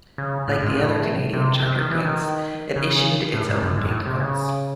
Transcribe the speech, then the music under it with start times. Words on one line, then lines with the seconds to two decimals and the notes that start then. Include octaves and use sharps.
Like the other Canadian chartered banks, it issued its own banknotes.
0.18 C#3
0.48 A2
0.62 G#2
0.75 A2
1.33 C3
1.62 C3
1.76 D#3
1.91 E3
2.05 D#3
2.76 C#3
3.33 A2
3.49 G#2
3.62 F#2
3.77 G#2
3.91 A2
4.06 C3
4.20 C#3